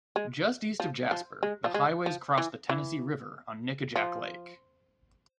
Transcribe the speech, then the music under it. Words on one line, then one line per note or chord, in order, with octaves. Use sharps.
Just east of Jasper, the highways cross the Tennessee River on Nickajack Lake.
G#3
F3
F3
G#3
F3
G#3
F3
E3
E3
F3